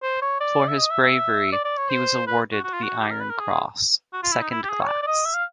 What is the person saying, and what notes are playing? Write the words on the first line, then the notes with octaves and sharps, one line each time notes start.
For his bravery, he was awarded the Iron Cross, second class.
C5
C#5
D5
E5
D#5
E5
E5
D5
D5
C#5
C5
B4
F#4
F#4
F4
F#4
G4
A#4
B4
A#4
G#4
F#4
F4
E4
D#4
E4
G4
G#4
C#5
D5
D5
D#5
E5
F5